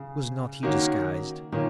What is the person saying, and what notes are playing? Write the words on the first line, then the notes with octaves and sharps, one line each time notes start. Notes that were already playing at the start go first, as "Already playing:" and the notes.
Was not he disguised?
Already playing: C#3
D#3 A#3 C#4 F#4
A#2 D#3 A#3 C#4